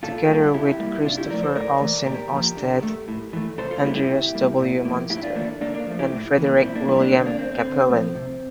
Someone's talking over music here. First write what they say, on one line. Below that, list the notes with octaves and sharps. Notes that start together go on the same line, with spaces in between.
Together with Kristoffer Olsen Oustad, Andreas W. Munster and Frederick William Cappelen.
A#2 F4 A4
G3 A#3
C3 E4 G4
G3 A#3
C3 D4 F4
E4 G4
F3 A3 A#4 D5
A4 C5
A2 A#4 D5
E3 A3
A#2 G4 A#4
F3 A#3
D3
A3
A2
E3 A3
C3 A4 C5
F4 A4
G3 A#3 E4 G4
E4 G4
C3
G3 A#3
A#2
F3 A#3
A2 E4 G4
D4 F4
E3 A3 A#3 D4
D3 A#3 D4
A#3 D4
F3 A3
E4 G4
A2
E3 A#3
A#2 C4 E4
A#3 D4
G3 A#3 C4 E4
A#3 D4
D3 C4
A#3 D4
A3 C4
C4
D3
F3 A3
C3